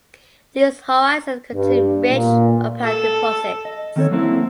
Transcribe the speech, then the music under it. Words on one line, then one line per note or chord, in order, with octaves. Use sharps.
These horizons contain rich opal deposits.
G2
A#2
A4
D#5
D#3 C4 A4 C#5
F#3 A3 A#3 C4 E4